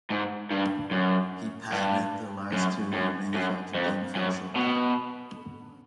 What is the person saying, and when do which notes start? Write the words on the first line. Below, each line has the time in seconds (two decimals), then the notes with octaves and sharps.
He patented the last two, and manufactured them for a short time.
0.10 G#2
0.51 G2
0.91 F#2
1.72 G2
2.53 F#2
2.94 F#2
3.34 F#2
3.74 F2
4.15 F#2
4.56 B2